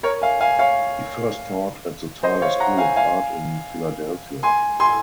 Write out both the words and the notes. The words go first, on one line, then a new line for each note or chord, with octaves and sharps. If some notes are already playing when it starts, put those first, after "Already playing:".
He first taught at the Tyler School of Art in Philadelphia.
A#4 C#5
F5 G#5
F5 G#5
C#5 F5
C5 D#5
C#5 F5
F#5 A#5
F5 G#5
F5 G#5
G#5 C6
G#5 C6